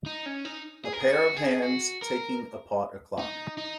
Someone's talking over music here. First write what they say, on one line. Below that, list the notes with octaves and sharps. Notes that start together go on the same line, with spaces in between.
A pair of hands taking apart a clock.
D#4
C#4
D#4
G#4
A#4
G#4
F#4
G#4
F#4
A#4
D#4
D#4